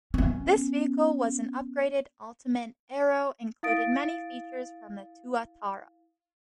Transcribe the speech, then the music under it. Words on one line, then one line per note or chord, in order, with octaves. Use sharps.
This vehicle was an upgraded Ultimate Aero and included many features from the Tuatara.
B3 C#4
E4 F5 D#6 A6 D7